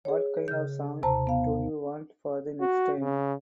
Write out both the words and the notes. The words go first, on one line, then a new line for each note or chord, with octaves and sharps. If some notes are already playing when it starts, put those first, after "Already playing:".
What kind of song do you want for the next time?
G#4 C#5
C#3 G6
D#2 C3 C5 A5 A#5
B3 F5
F#4
C#3